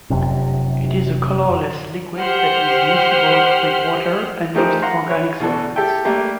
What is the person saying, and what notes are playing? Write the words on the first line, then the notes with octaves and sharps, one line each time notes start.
It is a colourless liquid that is miscible with water and most organic solvents.
F1 F#2 C3
G4 C5 F#5 F6
A3 D#4 G4 G#4 A#4 C5
F5 F#5 A#5 C6
B4 C#5
B2 E3 D4 A4
G4 A4 E5 G5
G3 A3 A#3 D4 G4